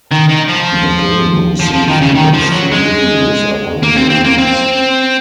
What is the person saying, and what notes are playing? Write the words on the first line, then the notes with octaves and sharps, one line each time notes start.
The game received mixed reviews upon release.
D#3
D#3
F3
F3
F3
D#3
C#3
D#3
F3
F#3
G#3
A#3
C4
C4
A#3
C4